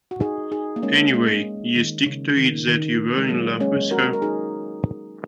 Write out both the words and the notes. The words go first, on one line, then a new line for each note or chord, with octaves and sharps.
Anyway, you stick to it that you were in love with her?
F#4
D#4 G#4
D#4 G#4
A#3
G#3 C#4
G#3
D#3
C#3
D#3
D#3
G#3
F#3 A#3
G#3 C#4
F#4 A#4
A#4
D#4 G#4